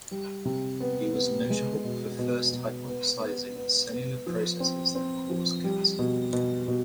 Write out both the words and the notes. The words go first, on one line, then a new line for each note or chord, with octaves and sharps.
He was notable for first hypothesising the cellular processes that cause cancer.
G3
C3
B3
B3
G#3
B2
B2
B2
B3
B3
B3
B3
F3
C4
C4
F3
G3
B2
B2
B2